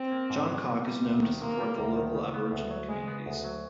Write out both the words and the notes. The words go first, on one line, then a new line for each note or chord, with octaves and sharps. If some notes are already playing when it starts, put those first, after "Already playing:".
Johncock is known to support the local Aboriginal communities.
Already playing: C4
A#3
G#2
F#3
C3
G3
D2
D#3
C3 A#3
G3
D2
D#3
C#3
B3
D2
F#3
C#3 G#3
B3
D2
F#3